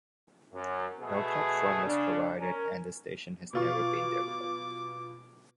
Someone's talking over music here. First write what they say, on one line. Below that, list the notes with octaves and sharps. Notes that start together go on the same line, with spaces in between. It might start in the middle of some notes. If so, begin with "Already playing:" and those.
No platform was provided, and the station has never been developed.
F#2
B2 A3 B3 G#4
C#3 D4
C#4 A#4
B2 F4 C#6 D6